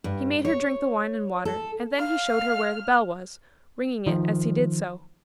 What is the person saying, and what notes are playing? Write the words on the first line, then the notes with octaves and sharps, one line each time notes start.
He made her drink the wine and water, and then he showed her where the bell was, ringing it as he did so.
G2
C#5
A4
F5 F6
D#3 F3